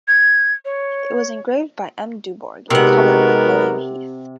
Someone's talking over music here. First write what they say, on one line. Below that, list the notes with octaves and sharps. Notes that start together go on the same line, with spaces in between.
It was engraved by M Dubourg and coloured by William Heath.
G#6
C#5
C3 G#3 B3 D#4 F#4 A#4 F#5